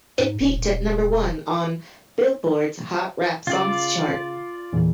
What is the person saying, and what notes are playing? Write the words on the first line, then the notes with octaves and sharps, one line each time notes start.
It peaked at number one on "Billboard"s Hot Rap Songs chart.
G#2
D#1
D#1
C#3 F4 D5
E2 A#2 E3